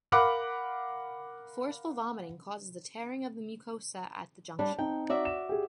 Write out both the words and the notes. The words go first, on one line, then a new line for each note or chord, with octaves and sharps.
Forceful vomiting causes tearing of the mucosa at the junction.
A#4 F5 F#5 B5 D6 F#6
G3 D4
C4 D#4 G5
F#4 D5 E5
E7
G4 G#4